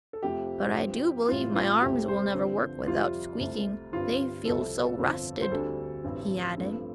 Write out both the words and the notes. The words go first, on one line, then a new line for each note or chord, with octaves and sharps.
"But I do believe my arms will never work without squeaking, they feel so rusted," he added.
A4
F2 C3 F3 A3 G4
G2 F3 C4
A1 A2 G3 C4 F4
F4
C2 C3 A3 C4 G4
C5
G2 D3 F3 C4
F2 C3 G3 F4
C2 C3 A3
G1 G2 G3 C4 F4
C2 C3 F3 A4
G1 F2 F3 C4
C5
D2 D3 G3 C4 A4
A1 G2 G3 C4
G2 F3 A3 C4